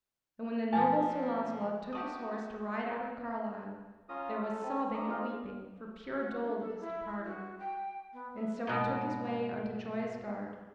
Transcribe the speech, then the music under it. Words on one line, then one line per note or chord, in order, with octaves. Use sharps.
And when the noble Sir Launcelot took his horse to ride out of Carlisle, there was sobbing and weeping for pure dole of his departing; and so he took his way unto Joyous Gard.
B2 F3 A4 G#5 A5
G3 A3 F#4 G4 D#6
C#4 F4 A#5 D#6
A4
C4 B4
D4 A#5 D#6
D#4 F4 G#4 D#5 F5
F#4
D4
A4
E4
F#4
G5
B3
E5
G#2 B2